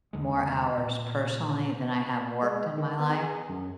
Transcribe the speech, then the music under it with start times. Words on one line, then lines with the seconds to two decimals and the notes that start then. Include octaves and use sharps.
more hours personally than I have worked in my life,
0.13 E2 D3 G#3
0.78 A#2
2.43 G#3
2.78 D#3
3.00 B3
3.13 G#4
3.49 F#2